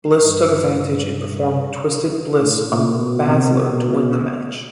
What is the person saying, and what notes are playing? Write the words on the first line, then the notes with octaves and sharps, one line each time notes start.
Bliss took advantage and performed Twisted Bliss on Baszler to win the match.
G2
A2
A#2
B2
C3
B2